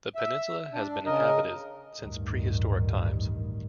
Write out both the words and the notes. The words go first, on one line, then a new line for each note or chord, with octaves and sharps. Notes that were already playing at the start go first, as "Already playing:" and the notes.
The peninsula has been inhabited since prehistoric times.
E5
D4
C#3 A#4 D#5
A1 D2 G2 D#3